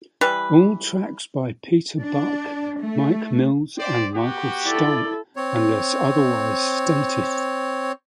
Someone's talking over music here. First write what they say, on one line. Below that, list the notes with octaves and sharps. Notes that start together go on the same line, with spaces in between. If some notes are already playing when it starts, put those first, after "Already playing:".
All tracks by Peter Buck, Mike Mills, and Michael Stipe unless otherwise stated.
E3 G3 B4
D4
A3
G4 C5 D5
B3 F#4 G4
E4 A4 D5
C4 C#5